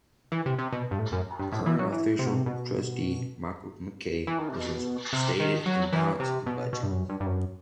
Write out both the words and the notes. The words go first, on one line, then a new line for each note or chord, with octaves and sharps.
Current Official Trustee Michael McKay was instated and balanced the budget.
E3
C3
C3
B2
G2
A2
F#2
G2
A2
E3
F#3
E3
C3
B2
C3
B2
E3
D#3
C3
B2
C3
D#3
F#3
E3
C3
B2
B2
G2
F#2
G2
G2
F#2